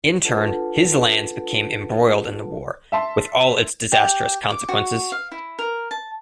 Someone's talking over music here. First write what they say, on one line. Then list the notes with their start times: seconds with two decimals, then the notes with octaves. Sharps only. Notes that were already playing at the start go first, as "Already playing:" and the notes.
In turn, his lands became embroiled in the war, with all its disastrous consequences.
0.25 D4 F4 A4 B4 F#5 A5
2.92 E5 A5 C6
3.92 G4
4.51 D6
4.69 F#4
5.12 F5
5.32 E4
5.59 A#4
5.91 A5